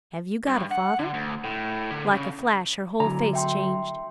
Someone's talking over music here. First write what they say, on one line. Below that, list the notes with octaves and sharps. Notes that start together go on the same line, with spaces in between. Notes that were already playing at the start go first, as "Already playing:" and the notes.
"Have you got a father?" Like a flash, her whole face changed.
G2
F#5
D3
D2
A2
D3
C#3
D3 F#3 A#5
E5 G5 C6